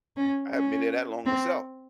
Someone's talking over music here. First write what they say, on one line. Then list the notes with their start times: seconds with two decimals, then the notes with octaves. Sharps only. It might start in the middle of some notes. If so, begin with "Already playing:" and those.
I haven't been here that long myself,"
0.17 C#4
0.54 C#4
1.26 C4